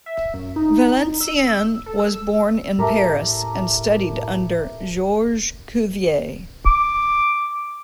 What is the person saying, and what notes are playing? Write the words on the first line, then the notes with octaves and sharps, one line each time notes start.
Valenciennes was born in Paris, and studied under Georges Cuvier.
E5
F#2
D#4
E6
A4
E6
A2 A3 G4 A#4
D6